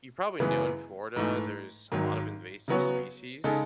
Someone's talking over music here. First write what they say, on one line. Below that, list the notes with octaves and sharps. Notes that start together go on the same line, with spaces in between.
you probably know in Florida, there's a lot of invasive species,
F#2 C#3 E3 G#3 B3
G#2 E3 A3
G#1 G#2 D#3 F#3
C#3 F#3 B3 F#4 C#5
C#3 G#3 D#4 A4